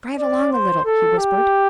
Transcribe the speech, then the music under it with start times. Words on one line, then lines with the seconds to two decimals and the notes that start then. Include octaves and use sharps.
"Drive along a little," he whispered.
0.19 D5
0.52 C5
0.85 A4
1.18 G4